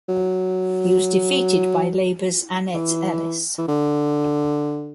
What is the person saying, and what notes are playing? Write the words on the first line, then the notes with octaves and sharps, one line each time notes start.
He was defeated by Labor's Annette Ellis.
F#3
E3
E3
D3